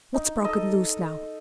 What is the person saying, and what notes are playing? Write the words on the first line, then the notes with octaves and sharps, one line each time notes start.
What's broke loose now?
D#4
A4 D#5